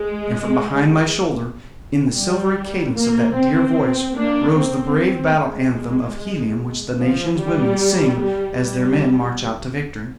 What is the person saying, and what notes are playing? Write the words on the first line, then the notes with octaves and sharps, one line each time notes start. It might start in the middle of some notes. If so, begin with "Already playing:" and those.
And from behind my shoulder, in the silvery cadence of that dear voice, rose the brave battle anthem of Helium which the nation's women sing as their men march out to victory.
Already playing: G#3
G3
A#3
C4
A#3 D4
C4
G#3
F3
G3
G3
G3